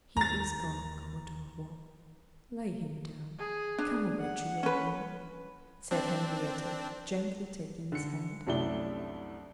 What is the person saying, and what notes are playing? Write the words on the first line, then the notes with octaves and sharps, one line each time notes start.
"He is gone, Commodore Waugh; lay him down; come away to your room," said Henrietta, gently taking his hand.
D#2 A#5 A6
G#4
D4
F#5
C#4 B4
C4 D4
D3 C#7
C2 F#2 A3 D4 E4 G7